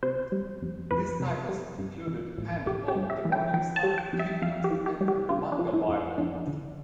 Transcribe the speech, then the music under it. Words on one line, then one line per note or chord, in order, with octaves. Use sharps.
These titles included "Hand of the Morningstar", "Kingdoms", and "The Manga Bible".
C3 C5
G3
F2
F2 B4
C3
G3
G2
E3
A1
A1 G4
G4
G2
E5
E3
G5
E3 G5
A5
G3
G5
F2
E5
F2 F5
G4
E3
G4
G3
G4
D3 F4
D4
F3
E4
F2
F2 D4
D3